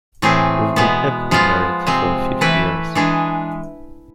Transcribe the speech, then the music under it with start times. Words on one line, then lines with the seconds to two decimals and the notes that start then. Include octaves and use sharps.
We've been happily married for fifty years.
0.22 A2 E3 A3 C4 G#4
0.76 B2 G#3 B3
1.31 F3 G#3 B3 F4
1.87 C3 G#3 C4
2.41 E3 A3 E4 B4
2.95 E3 G#3 D4 G#4